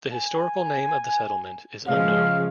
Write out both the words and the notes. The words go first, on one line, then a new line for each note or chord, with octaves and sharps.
The historical name of the settlement is unknown.
G#5
C#3 F3 G#3 F5